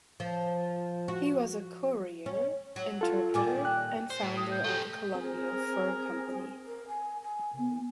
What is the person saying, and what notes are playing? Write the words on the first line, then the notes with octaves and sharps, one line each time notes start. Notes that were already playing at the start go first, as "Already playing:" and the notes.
He was a courier, interpreter, and founder of the Columbia Fur Company.
F3
F#4
C#4
F#3
F4 A4
A#2 D#3 G3 G#5 D6
G5 F#6
C5
A2
D#6
G6
A3 G4
C4 G#4 A#4
A#4
G#5
G#5
B3